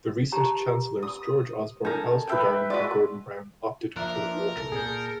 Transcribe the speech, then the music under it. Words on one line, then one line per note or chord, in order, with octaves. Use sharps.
The recent Chancellors, George Osborne, Alistair Darling and Gordon Brown, opted for water.
G4 A5 A#5
D#6
D4 A4 A#4 G#5
B4 E5 G5
G#3 F#4 B4 D5
F3 A#3 D4 A#4 E5 A#5 F#6
C2 A4
A#2 G#4 A4 G6